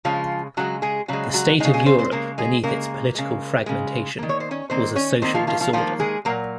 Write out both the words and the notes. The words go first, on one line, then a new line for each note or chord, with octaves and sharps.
The state of Europe beneath its political fragmentation was a social disorder.
C#3 F3 G#3 F4
C#3 F#3 G#3 F#4
G#3 G#4
C#3 F#3 G#3 F#4
F#3 F#4
C#3 D#3 G#3 D#4
G#3 G#4
C4 C5
C4 C5
C#3 G#3 A#3 A#4
G#3 G#4
C#3 G#3 A#3 A#4
C#3 G#3
C#3 G#3
D#3 A#3
C#5
C5
C#4 C#5
D#3 A#3 C4 C5
C#4 C#5
D#3 A#3 C4 C5
F3 F4
F3 F4
F3 F4
D#3 F3 A#3 F4
G#3 G#4
A#2 F#3 A#3 A#4